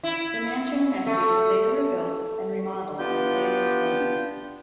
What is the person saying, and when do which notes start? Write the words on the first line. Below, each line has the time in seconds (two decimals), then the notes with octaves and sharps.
The mansion and estate were later rebuilt and remodeled by Clay's descendants.
0.03 E4
1.06 A3
2.99 B3 D4 F4 G4 G6